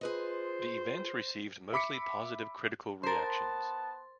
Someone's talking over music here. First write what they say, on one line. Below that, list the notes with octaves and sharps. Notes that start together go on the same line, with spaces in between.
The event received mostly positive critical reactions.
F4 G#4 B4 C5 D#5
E5 B5 D6 B6 C#7
B3 A#4 C5 A5 C6 A6